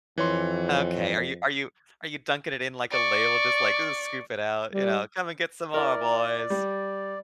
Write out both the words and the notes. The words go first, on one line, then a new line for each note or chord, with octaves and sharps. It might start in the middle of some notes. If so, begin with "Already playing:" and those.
Okay. Are you are you are you dunking it in like a ladel just, like, "Ooh, scoop it out?" You know, "Come and get some more, boys."
F2 E3 C#5 C6
D5 C#6
G3
E4 A#4 D5
G3